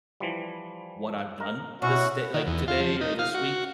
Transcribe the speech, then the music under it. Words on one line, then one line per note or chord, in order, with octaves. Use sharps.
what I've done this day like, today or this week?"
E3 F3 G3
A#4
B2 C#4 E4 F#4
D#3
E2
F4
F3
D#4
F5
F#4